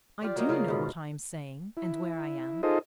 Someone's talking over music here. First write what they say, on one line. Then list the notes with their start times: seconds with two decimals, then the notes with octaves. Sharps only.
I do know what I am saying and where I am.
0.22 F4 G4 D5
0.36 F#3 A#3 D#4 F4
0.49 C#3 F4 A#4
0.68 G#2 B2
1.77 E4
2.63 D#4 F4 G#4 A4 C5 D#5